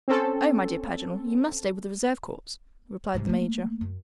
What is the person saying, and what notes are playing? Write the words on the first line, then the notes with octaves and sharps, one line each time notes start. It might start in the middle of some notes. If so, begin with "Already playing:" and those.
"Oh, my dear Paganel, you must stay with the reserve corps," replied the Major.
C4 C#4 A4
C2 G#2
A3 A#3
F#2